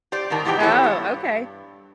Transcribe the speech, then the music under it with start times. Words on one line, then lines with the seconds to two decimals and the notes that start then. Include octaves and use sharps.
Oh, okay.
0.12 G4 C5 D5
0.30 G#2 D#3 A#4 A5
0.45 G#2 B2 E3 G3 G4 G5
0.60 B3 E4 A4 B4 C#5
0.84 G2